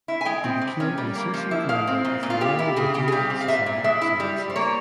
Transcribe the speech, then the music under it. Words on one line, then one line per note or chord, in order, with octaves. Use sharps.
He became an associate member of the Royal Bohemian Society of Sciences.
E4
G#5
G#3 G5
C4
C3
C#4
G3
A#3
F3
E4
G#3 F5
C4
A#2
A#2
F4
G#3 G4
E4
C#3 G#4
C#3 G4
G#4
G3 G4
C4
F5
A#2 E5
A#2
G#3 E5
E4
G3
G3
C5
A#3 C#5